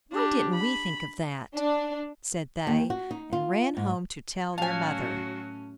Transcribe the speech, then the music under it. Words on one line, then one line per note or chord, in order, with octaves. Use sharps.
"Why didn't we think of that?" said they, and ran home to tell their mother.
D4 G4
B5
D4
D#2
F#4
D#4
F4
G#2
A2 F#3 C#4 F#4 F5 G#5 A5